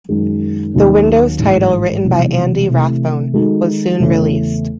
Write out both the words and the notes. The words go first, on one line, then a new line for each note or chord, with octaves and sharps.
The Windows title written by Andy Rathbone was soon released.
F#2 D#3 G#3
D#2 D#3 F#3 C#4
A1 G#2 E3 G#3
E1 E2 C3 F#3
C3 E3 A3
D#3 G#3 D#4 F#4 A4
E2 C#3 E3 A3 C#4